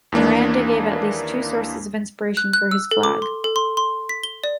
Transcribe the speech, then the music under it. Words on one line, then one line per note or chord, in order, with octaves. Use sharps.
Miranda gave at least two sources of inspiration for his flag.
D#2 E3 A#3 D4
F#6
F#6
E6
A4
D6
C6
A4
C6
C6
B6
G7
D5